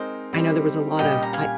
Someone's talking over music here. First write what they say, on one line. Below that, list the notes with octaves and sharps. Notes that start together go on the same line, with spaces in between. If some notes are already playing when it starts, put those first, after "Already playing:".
I know there was a lot of I
Already playing: G#3 C4 D#4 A#4 C5 D#5
G3 C4 D#4 G4
A#2 G3 C#4 G4 D#5 G5
A#5
F5 G#5